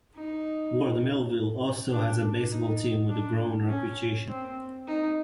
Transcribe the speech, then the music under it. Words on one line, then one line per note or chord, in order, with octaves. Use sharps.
Ward Melville also has a baseball team with a growing reputation.
D#4
D4
D#4
D4
C#4
C4
D#4